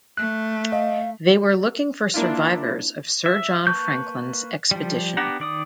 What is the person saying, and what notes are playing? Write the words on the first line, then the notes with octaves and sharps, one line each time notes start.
They were looking for survivors of Sir John Franklin's expedition.
A3 F#6
D#5 F5
A#3 D4 E4 F4
E5
A#3 B4 A5 C#6 G6
F3 G3
B3 D4 G4 F#5 A#5
D#3 D5 D#6